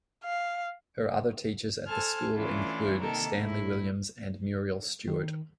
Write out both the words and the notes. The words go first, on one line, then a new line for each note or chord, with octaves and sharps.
Her other teachers at the school include Stanley Williams and Muriel Stuart.
F5
A4 C5 G#5 A5 F6
E3 A3 C#4 D4 E4 F4
C3 D#3 A#3 A4 A#4
A2 E4
D#3